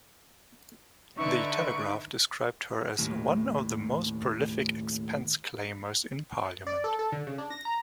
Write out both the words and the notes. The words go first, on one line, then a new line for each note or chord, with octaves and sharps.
"The Telegraph" described her as "one of the most prolific expense claimers in Parliament".
D3 D#4 B4 E5 C#6 D7
D#2 A2
D5
A4
A4
D3
C#3
D4
A#6
A#5